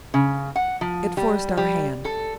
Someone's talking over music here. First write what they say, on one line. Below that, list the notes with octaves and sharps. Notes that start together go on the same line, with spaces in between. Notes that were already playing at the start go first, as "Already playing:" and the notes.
It forced our hand.
C#3
F#5
F3
G3
G3
A4